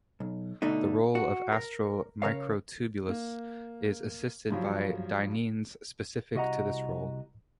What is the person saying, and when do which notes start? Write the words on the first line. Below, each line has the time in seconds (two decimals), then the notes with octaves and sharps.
The role of astral microtubules is assisted by dyneins specific to this role.
0.20 B1
0.62 B2 D3 A3 D4 D#4
1.15 F#4
1.52 A#4
2.22 C#3 A#4 C#5 F5
3.09 A#3
4.50 G2 F3 F#3
6.35 C2 F#4 D#5 F#5 A#5